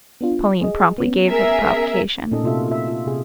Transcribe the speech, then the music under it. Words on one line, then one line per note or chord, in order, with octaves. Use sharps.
Pauline promptly gave her the provocation.
B3 D4 F4
G#4 D#5
B3 C#4
G#4 A#4 E5
A#2 A3 C#4 D#4 A4 D#5
C3 A#3 F4 F#4 A4 E5
F4 E5
F4
C3 G#4